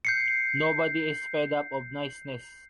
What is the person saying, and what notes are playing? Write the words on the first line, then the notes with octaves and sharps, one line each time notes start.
Nobody is fed up of niceness.
G6 C7 C#7